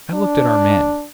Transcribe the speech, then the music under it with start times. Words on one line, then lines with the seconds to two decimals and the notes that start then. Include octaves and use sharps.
I looked at our men.
0.14 D4